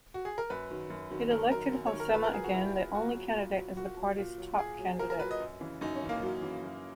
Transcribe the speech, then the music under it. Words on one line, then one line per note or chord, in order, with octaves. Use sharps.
It elected Halsema, again the only candidate, as the party's top candidate.
F#4
G#4
A#4
F#2 B4
D#3 F#3
F#2
D#3 F#3
F#2 A#4
D#3 F#3 A#4
F#2
C#5
D#3 F#3
A#4
A#2 B4
A#4
F#3 G#4
F#4
A#2 E4
F#3
A#2 F#4
F#3
A#2
F#3
A#2 F#4
F#3
A#2
F#3
A#2 G#4
F#3
A#2 A#4
A#4
F#3 B4
D#5
F#2
C#3 E3
F#2 D#4
C#4
C#3 E3
A#3
F#2 F#3
C#3 E3
F#2